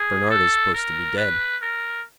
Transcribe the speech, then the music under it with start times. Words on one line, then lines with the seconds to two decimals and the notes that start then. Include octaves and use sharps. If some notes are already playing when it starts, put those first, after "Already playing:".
"Bernard is supposed to be dead."
Already playing: G#4
0.30 A4
0.74 A#4
1.18 B4
1.62 A#4